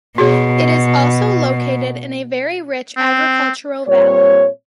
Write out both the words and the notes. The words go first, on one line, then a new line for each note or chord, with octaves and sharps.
It is also located in a very rich agricultural valley.
B2 F#4 G#4 C#5
C4
A#2 G3 C4 C#5